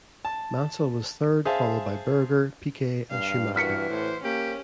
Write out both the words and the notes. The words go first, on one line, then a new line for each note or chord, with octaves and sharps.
Mansell was third followed by Berger, Piquet, and Schumacher.
A5
G#4 C5 E5 F5 A5
G2 F5
E3 F#4 F6 B6 C#7
A2 C5
A#3 C#4 G4